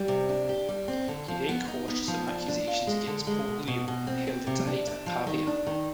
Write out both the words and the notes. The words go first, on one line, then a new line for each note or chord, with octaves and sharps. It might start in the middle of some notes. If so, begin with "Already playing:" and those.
He then quashed some accusations against Pope Leo and held a Diet at Pavia.
Already playing: G3
C3
D4
G4
G3
C4
D3
F3
B3
D#4
B3
F3
D4
D4
F4
G#3
D3
G#3
B2
B2
B2
C4
C4
C3
D4
D4
F3
D#3
D4
D#3